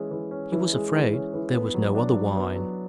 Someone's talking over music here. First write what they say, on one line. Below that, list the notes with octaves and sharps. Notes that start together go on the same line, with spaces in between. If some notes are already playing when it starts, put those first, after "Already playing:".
He was afraid there was no other wine.
Already playing: E3 G#3 C#4
E3
C#4
E3
G#3
E3
C#4
E3
B3
F#3
D4
F#3
B3
F#3